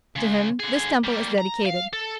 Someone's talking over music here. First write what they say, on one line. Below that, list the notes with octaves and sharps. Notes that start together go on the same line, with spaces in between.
To him this temple is dedicated.
C#3 G#3
D3 G#4
G3 A#3
A#5
F5
A4